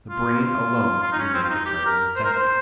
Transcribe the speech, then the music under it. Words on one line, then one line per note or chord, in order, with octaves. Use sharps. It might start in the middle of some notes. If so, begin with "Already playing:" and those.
The brain alone remained a cardinal necessity.
F4
F4
F4
D#4
C#4
C4
F4
D#4
G4
A#4
C5
A#4
C5